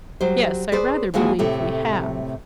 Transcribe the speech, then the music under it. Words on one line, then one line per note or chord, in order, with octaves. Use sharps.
"Yes, I rather believe we have."
F#3 G3 C5
G#4 B4 C5 D5
D#2 E3 G#3 A#3 F#4
A2 C3 A3